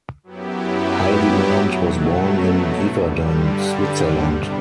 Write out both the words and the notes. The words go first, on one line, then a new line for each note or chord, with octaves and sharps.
Haldimand was born in Yverdon, Switzerland.
F#2 F#3 B3 E4 G4
B2 F#3 A3
G2 D3 G3
E2 C3 G3 B3 D4